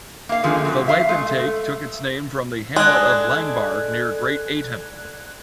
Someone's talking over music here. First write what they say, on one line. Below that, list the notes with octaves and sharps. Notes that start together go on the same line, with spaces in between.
The wapentake took its name from the hamlet of Langbaurgh, near Great Ayton.
A#3 F5
D3 D#3 F3 G#3 A3 C#4
G#2 B2 F#3
E5 F5
G#3 A3
A3
G#3 D4 A4 F#6 G#6